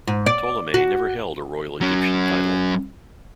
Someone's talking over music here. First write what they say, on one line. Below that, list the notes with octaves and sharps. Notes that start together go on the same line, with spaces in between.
Ptolemy never held a royal Egyptian title.
G#2
D5
F#4
F#3 C#4